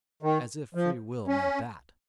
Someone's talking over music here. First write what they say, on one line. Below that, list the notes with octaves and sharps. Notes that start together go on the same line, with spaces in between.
As if free will meant that!
D#3
F3
C#4